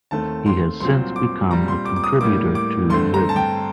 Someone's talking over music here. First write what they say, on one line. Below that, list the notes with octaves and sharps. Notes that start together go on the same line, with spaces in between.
He has since become a contributor to Rhythm.
D#2 D#3 A3 C4 A5
C6
C2 A#2 F#3 C4 C6
D6
A#2 G3 C4 A#5
C6
D6
D6
D#6
A2 G3 A#3 D6
D6
G2 D3 A3 C4 C6
A#5
A5
G5